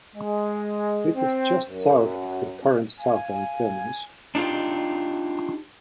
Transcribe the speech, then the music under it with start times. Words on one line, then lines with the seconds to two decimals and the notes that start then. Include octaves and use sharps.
This is just south of the current southern terminus.
0.16 G#3
1.15 C4
1.70 F#2
3.00 F5 G#5
4.35 D4 D#4 F4 G4